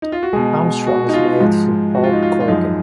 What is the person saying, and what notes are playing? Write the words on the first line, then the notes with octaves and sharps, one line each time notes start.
Armstrong is married to Paul Corrigan.
D#4
F4
F#4
B2 G#3 G#4
F#4
D#4
F4
G#2 F3 G#3
F#4
F4
D#4
F4
F4
F#2 F3 G#3 D#4